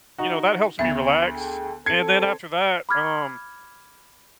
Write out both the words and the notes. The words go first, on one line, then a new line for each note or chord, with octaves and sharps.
you know, that helps me relax, and then after that, um,
D#4 F#4
D2 B3 E5
G#4 A4 G5
C4 A4 G#6 C7 C#7
B5 D6 F6 G#6